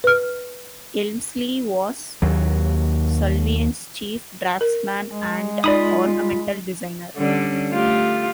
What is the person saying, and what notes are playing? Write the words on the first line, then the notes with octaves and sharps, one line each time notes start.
Elmslie was Sullivan's chief draftsman and ornamental designer.
B4 F6
D#2 F#3
A#4
G#3
D#4 F4 D5 B5 D#6
D3 G3 C#4
A3 F4 G4